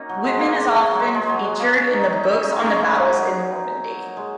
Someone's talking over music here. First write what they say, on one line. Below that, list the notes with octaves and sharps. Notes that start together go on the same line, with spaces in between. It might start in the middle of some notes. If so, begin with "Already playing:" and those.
Wittmann is often featured in the books on the battles in Normandy.
Already playing: A#3 C#4 D#4 F#4
F#3
G#3
A#3
G#3
F#3
G#3
G#3
F#3
G#3
A#3
C#4
D#4
D#4
D#4
D#4
C#4
G#3
C#4
G#3
A#3
G#3
F#3
G#3